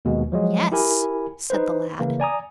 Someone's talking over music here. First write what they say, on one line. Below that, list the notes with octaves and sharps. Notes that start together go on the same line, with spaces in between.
"Yes," said the lad.
D#2 B2 G#3
F3 F#3 G#3
E4 G4 A#4 G#5 B5
D#4 B4 C5
C#3 E3 A#3
D5 G#5 A#5 D#6